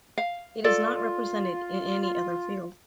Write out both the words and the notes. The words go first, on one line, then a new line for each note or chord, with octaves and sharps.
It is not represented in any other field.
F5
F4 A4 D5